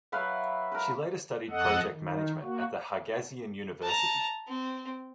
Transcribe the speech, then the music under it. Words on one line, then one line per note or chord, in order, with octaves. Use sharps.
She later studied project management at the Haigazian University.
F#3 B4 E5 F5
A#4 B4
F2 A4 D#5 F#5
D#3
A#3 F#4
A5 A#5
C4